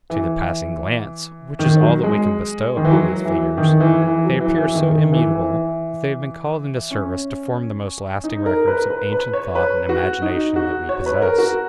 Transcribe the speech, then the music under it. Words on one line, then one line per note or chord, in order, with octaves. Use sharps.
To the passing glance, which is all that we can bestow upon these figures, they appear so immutable that they have been called into service to form the most lasting records of ancient thought and imagination that we possess.
E3
D#3
F#3
G#3
D#3
E3
F#3
E3
D#3
E3
E3
F#3
E3
E3
D#3
D#3
E3
E3
C#4
D#4
A#4
B4
B4
B4
C#5
B4
F#4
D#4
F#4
C#5
B4
A#4
F#4